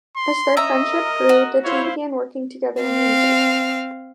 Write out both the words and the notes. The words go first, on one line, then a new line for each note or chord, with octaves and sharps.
As their friendship grew, the two began working together in music.
C6
C#4 D#5 E5 A#5
A#4
F#4
E4 C5 C#5 F5
C4 F5